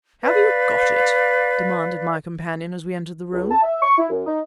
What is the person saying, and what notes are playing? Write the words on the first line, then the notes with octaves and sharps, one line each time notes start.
"Have you got it?" demanded my companion as we entered the room.
B4 D5 F5
C#2
A5
E5
C#6
E4
F#2
D#4